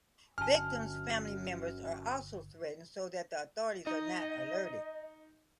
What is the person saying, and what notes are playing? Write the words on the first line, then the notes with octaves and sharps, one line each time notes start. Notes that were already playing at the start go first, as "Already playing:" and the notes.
Victims’ family members are also threatened so that the authorities are not alerted.
G1 F#2 D3 G#5 A5 F6
D#4 D#5